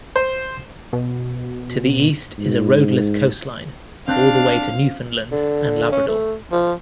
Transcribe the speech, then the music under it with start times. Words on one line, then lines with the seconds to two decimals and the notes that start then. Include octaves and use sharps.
To the east is a roadless coastline all the way to Newfoundland and Labrador.
0.16 C5
0.93 B2
2.38 G#2
4.08 C4 D4 F5 F#6 A#6
5.32 D3
5.92 C#4
6.08 A3
6.52 F3